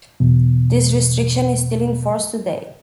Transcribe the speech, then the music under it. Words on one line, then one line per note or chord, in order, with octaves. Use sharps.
This restriction is still in force today.
E2 B2